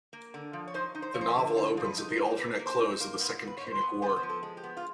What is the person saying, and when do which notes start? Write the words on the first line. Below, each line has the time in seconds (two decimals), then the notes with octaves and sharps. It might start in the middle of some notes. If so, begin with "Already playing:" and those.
The novel opens at the alternate close of the Second Punic War.
0.13 A#3
0.34 D3
0.53 F3
0.68 C#5
0.74 D#4 C5
0.95 D#4
1.02 C5
1.14 F3 C#5
1.21 C5
1.29 B4
1.36 D3
1.56 D3 C5
1.77 F3 C5
1.84 B4
1.98 D#4
2.11 A#4
2.18 A#3
2.38 A#3 B4
2.59 A#3
2.66 C5
2.79 D#4
2.92 C5
3.00 A#3
3.20 G#2 B4
3.41 G#2
3.47 B4
3.57 G#2 C#5
3.66 C5
3.76 B4
3.81 B3
4.02 B3 C5
4.09 B4
4.16 C5
4.23 F3
4.29 A4
4.43 G#3
4.57 G4
4.63 B3
4.77 F4